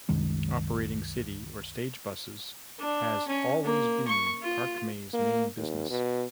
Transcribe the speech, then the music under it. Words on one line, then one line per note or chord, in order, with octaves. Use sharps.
Operating city or stage buses has always been Park May's main business.
C2 F#2 D#3 G#3
D4
C#4
A#3
C#6
F4
A#3
D#2
B2